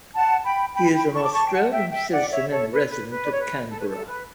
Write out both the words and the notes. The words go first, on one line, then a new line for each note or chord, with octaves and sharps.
He is an Australian citizen and resident of Canberra.
F#5 A5
G5 B5
G5 B5
G5 B5
B5
A5 C#6
D6
A5 C#6
G5
F#5 A5
E5 G5
E5 G5
D5 F#5
C#5 E5
A4 C#5
B4
B4
B4
D5
C#5
B4
A4
B4
A4
B4